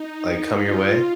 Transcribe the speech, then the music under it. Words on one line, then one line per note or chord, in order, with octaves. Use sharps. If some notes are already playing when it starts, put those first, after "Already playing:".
like, come your way.
Already playing: D#4
F4